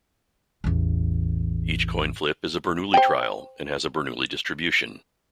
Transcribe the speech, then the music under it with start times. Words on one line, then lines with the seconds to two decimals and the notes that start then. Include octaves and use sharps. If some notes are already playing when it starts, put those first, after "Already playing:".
Each coin flip is a Bernoulli trial and has a Bernoulli distribution.
0.64 A1 E2
2.94 C5 G5